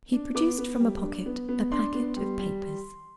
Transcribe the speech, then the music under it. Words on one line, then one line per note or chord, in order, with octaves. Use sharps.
He produced from a pocket a packet of papers.
D4
B3 D6
B3
G3
D4
B3
B3
D4 C6
B3
G3
G3